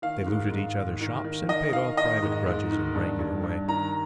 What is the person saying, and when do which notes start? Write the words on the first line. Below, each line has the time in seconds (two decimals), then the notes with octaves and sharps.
They looted each other's shops, and paid off private grudges in the regular way.
0.02 D#3 F5
0.27 G#2
0.52 G#2
0.76 D#3
1.01 D#3
1.24 D#3
1.49 D#3 D#5
1.73 D#3 F5
1.97 D#3 D#5
2.22 G#2
2.46 G#2
2.71 D#3
2.95 G2
3.19 G2
3.44 G2
3.68 D#3 A#5